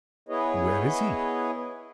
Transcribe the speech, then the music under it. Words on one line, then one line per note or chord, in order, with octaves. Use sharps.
"Where is he?"
B3 E4 G#4 B4 C#5 D#5